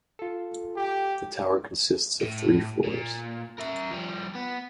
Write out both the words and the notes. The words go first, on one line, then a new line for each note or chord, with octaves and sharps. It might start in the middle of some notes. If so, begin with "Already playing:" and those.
The tower consists of three floors.
F4 A4
G4
A2
A#2
A#4 E5
F3 G3
B3